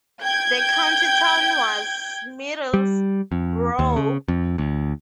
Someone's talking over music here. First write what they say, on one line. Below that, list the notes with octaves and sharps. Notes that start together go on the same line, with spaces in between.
The county town was Middlesbrough.
G5 G6 G#6
G3
F2
D#2
C#3
F2
D2